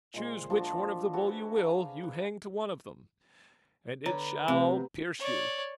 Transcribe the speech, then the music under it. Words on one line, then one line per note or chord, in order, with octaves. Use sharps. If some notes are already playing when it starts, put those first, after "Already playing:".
Choose which horn of the bull you will, you hang to one of them, and it shall pierce you.
A#2 G#3 C5
F3 D4 F#4
F#4 G#4 A4 B4
F5 A#5
B4
D3 B4 C#5 A#5 B5
C3 A3 B3 C4
C#5 D5